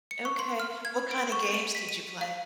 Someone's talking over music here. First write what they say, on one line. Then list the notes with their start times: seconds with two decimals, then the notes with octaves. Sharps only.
Okay. What kinda games did you play?
0.11 C#7
0.25 C#6
0.39 C6
0.60 F6
0.85 G#6
1.11 D7
1.32 C#6
1.54 D#7
1.75 B6
1.89 D#7
2.21 F5